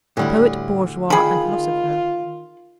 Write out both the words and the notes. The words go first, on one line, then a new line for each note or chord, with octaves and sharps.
Poet, Bourgeois, and Philosopher.
D2 A2 G3 E4
D#3 F4 G#4 B5